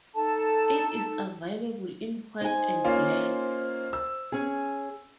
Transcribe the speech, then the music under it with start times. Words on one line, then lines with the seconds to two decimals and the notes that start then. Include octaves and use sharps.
It is available in white and black.
0.14 D#4 A4 A5
2.41 D#4 C5 G#5
2.84 A#3 C#4 F4
3.93 E6
4.32 C#4 G#4